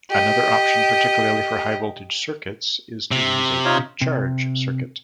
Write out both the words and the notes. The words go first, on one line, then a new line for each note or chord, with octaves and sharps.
Another option, particularly for high voltage circuits, is to use a pre-charge circuit.
G4 D#5
C3
D#4 F4 C#5
C3